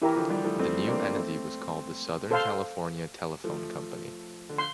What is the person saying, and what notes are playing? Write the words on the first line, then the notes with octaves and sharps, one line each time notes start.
The new entity was called The Southern California Telephone C.
E3 E4 G4 A#4 E5 A#5
D3 F3
E3 G3
F3 A3
A3 C4
A#3 D4
A3 C4
A4 C5 F5 C6
F3 A3
D3
C6